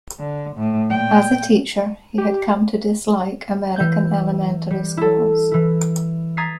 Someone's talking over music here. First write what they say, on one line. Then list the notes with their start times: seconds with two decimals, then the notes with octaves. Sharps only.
As a teacher, he had come to dislike American elementary schools.
0.20 D3
0.57 A2
0.90 A#2 G5
2.18 G4
3.76 E3 G6
4.71 G3
4.97 E4 A4
5.51 E3 E4
6.37 A#5 D#6 G#6 A6 B6 C7